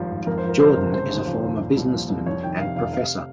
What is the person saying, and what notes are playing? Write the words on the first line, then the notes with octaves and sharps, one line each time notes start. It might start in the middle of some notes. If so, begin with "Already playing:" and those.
Jordan is a former businessman and professor.
Already playing: G#1 G2 F3
G#1
F2 A#4
C5
F3
A#4
C3 C5
A#4
G1
C#3 C5
D#2
F3
D#2
A#2
C2
F3
C2
F2 C#5
D#3 G5
C3 F5
F1 F5
C3 F5